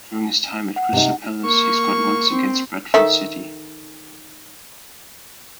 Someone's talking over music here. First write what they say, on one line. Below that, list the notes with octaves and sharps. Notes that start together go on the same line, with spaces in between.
During his time at Crystal Palace, he scored once against Bradford City.
F#5
C3 D#4
A#3 C#6
C4
D#3 A4 E5